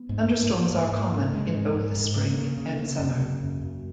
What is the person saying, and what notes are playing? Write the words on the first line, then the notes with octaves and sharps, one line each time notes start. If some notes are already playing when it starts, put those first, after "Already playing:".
Thunderstorms are common in both the spring and summer.
Already playing: B3
G#2
G#2
G#2 A#3
G#2
G#2
G#2
G#2 G#3
G#2
G#2
G#2
C#3 A#3
C#3
C#3
C#3
F#2
C#3
F#2
F#2